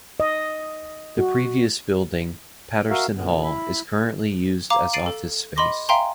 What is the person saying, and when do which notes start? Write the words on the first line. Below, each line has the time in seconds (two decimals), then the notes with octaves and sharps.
The previous building, Patterson Hall, is currently used as office space.
0.20 D#5
1.18 F#4
2.90 F#4 A#4 E5 F5
3.15 A#2 D3 B3
3.43 E4 B5
4.70 F5 A#5 D6
4.93 A6 C7 D7 D#7 F#7
5.06 A4
5.56 D#5 B5 C6 D6 A#6
5.89 E5 F5 G5 G#5 A#5 C6